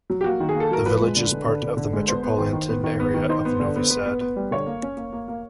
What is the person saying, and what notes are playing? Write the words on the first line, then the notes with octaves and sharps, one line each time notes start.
The village is part of the metropolitan area of Novi Sad.
F#3
G4
A#3 F#4
D#3
G#4
A#3
A4
F#3 A#4
F3 B4
G#3
D3
D3
D3
D3
D3
G#3
B3 C5
B3
D#3
D#3
B3
D#3
B3
D#3
D#4 C5
B3
D3
B3
B3
B3
B3
G3
D3 C#5
A#3
C#4
A#3
A#3
A#3